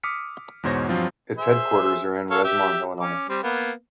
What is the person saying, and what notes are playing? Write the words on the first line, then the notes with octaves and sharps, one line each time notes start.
Its headquarters are in Rosemont, Illinois.
D6 D#6 F6 B6 C#7
E2 G#2 B2 C5 C#5 A#6
G2 F3 F#3 C4 F4
G#4 C5 E5
A4 C#5 F5
G4 E5
C#4 D6
G3 C4
A#3 B3